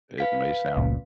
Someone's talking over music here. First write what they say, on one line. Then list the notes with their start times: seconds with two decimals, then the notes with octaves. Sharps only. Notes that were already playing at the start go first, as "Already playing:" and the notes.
that may sound,
0.18 B4 F5 B6
0.76 F1 C#2 A#2